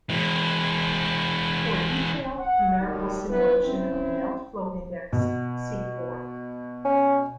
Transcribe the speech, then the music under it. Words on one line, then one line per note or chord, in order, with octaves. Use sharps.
For a detailed numerical simulation of the melt flow index, see or.
E3 G#3
F#5
A2 D#3 F#3 G3
F#2 B3 D4 E4 B4
C4 C#4 E4
B2
C#4